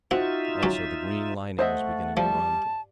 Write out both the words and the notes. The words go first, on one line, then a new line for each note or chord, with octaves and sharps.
Also the green lining was beginning to run.
C4 D#4 F4 F#4 E5
F#3 C#4
A3 C5 D#5 E5 F#5
F3 G3 A5